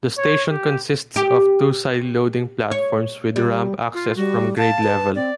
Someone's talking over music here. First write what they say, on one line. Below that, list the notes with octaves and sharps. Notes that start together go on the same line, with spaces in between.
The station consists of two side-loading platforms with ramp access from grade level.
C#5
G4
G4
C#5
G3
F4
G3 F#4
F5 A5
B4
C4 D5